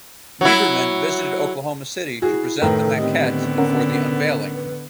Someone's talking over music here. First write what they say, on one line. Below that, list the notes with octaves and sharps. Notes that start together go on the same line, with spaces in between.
Liberman visited Oklahoma City to present the maquette and for the unveiling.
F#3 E4
E4 F#4 G#4
A2 D#3 A4 B4 G5 A#5
D3 B3 C4 G4 D#5
C#4 A#4 F#5
B4